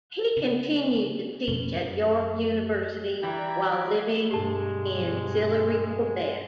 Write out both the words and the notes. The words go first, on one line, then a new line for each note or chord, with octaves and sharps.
He continued to teach at York University, while living in Sillery, Quebec.
C#3
F2 B2 C#4
F#2
E3 D5 G5 A#5 B5 G#6
G2 B2 G#3 G4 A5